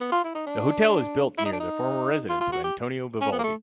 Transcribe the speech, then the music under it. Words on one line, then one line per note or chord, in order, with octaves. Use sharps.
The hotel is built near the former residence of Antonio Vivaldi.
B3
F4
E4
D#4
D4
E4
D#4
D4
D#4
F4
F4
F#4
G4
C#4
B3
A#3
A3